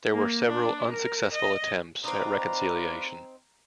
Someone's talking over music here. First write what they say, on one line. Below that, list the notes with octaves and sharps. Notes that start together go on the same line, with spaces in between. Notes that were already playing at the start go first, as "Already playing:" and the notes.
There were several unsuccessful attempts at reconciliation.
A#3
D4
A#4
D#5
C4 D#4 F4 B4 D5 A#5